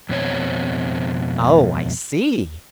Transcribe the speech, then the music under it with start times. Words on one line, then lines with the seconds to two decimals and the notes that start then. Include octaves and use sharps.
"Oh, I see."
0.09 F2 B2 C4 C#5